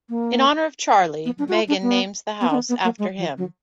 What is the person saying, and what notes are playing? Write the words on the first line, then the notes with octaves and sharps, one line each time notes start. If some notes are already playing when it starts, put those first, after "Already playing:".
In honor of Charlie, Meghan names the house after him.
A#3
B3
D4
F#4
F4
D4
B3
B3
D4
B3
B3
A#3
G#3
F3
F#3